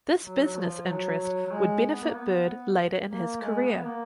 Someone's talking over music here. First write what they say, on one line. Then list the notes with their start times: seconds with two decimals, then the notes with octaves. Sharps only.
This business interest would benefit Bird later in his career.
0.25 F#3
0.46 F#3
0.56 F3
0.88 F#3
1.20 F#3
1.47 F#3
1.52 G#3
1.92 B3
2.02 A#3
2.12 B3
3.11 A#3
3.42 G#3
3.63 B3
3.77 B3
3.84 A#3